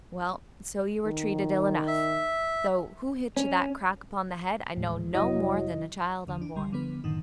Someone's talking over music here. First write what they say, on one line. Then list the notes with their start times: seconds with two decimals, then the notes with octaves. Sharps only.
Well, so you were treated ill enough--though who hit you that crack upon the head I know no more than a child unborn.
1.06 D#3
1.88 E5
3.37 C#4
4.76 D#2 A2 G#3
5.15 F1 F#3 E4 D#5
6.27 E2 D3
6.42 D4
6.55 B1 D3 G3 C6
6.72 D3 F3 B3 B4
7.04 A1 F#2 A2 D3 D#3 D#4